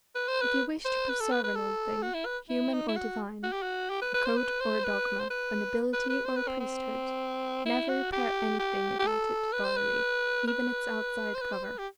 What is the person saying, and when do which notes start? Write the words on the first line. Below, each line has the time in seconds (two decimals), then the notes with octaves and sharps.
If you wish to preserve an old thing, human or divine, a code or a dogma, a nobility or a priesthood, never repair anything about it thoroughly, even its outside cover.
0.15 B4
0.28 C5
0.41 B4
0.85 C5
1.09 B4
1.20 A4
1.32 B4
1.44 B4
1.55 A4
2.03 F#4
2.14 E4
2.25 B4
2.49 E4
2.73 D#4
2.88 E4
2.96 F#4
3.43 F#4
3.53 G4
3.62 F#4
3.90 G4
4.02 B4
4.14 B4
4.25 C5
4.37 B4
4.60 C5
4.84 B4
5.20 C5
5.30 B4
5.93 B4
6.10 B4
6.25 C5
6.36 B4
6.48 C4
6.60 C4
7.66 E4
7.89 F#4
8.12 G4
8.59 G4
8.99 G4
9.07 A4
9.53 B4
9.64 C5
9.76 B4
10.48 B4
11.34 C5
11.41 B4
11.53 C5
11.64 B4
11.78 G4